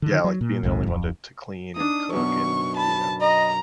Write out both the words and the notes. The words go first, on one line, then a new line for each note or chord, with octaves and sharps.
Yeah, like, being the only one to to clean and cook and, you know,
D3 D#3
F#3
A#2
A#1 D#2 G#2 C3
D1 F2
D4 D#4 D#6
F#2 B2 C#6
A5 B5
D#5 A#5